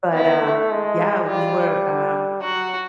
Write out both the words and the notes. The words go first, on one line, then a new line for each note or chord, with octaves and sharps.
But, um, yeah, we were um,
B3 E4
A3
G#3
G3 F4
F#3 F#4